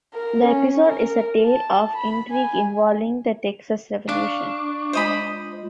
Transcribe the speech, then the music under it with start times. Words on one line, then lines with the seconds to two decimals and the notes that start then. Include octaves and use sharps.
The episode is a tale of intrigue involving the Texas Revolution.
0.14 A#4
0.46 C#4
0.88 A#4
1.45 A5
1.97 B5
2.30 G#5
4.09 D4 F5 C#6 D6
4.93 G#3 F4 C5 D#5 B5